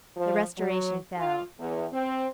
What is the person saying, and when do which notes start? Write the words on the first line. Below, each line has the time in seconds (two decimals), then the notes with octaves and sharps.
The Restoration fell.
0.17 F3
0.58 F#3
1.17 F4
1.59 E2
1.93 C4